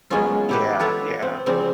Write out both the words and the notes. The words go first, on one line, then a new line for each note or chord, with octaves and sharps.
Yeah, yeah.
F#3 G#3 A#3 B3 C#4 F4
E4 G4 B4
F4 A4 B4 C#5 F#5
C4
C#3 F3 G3 C4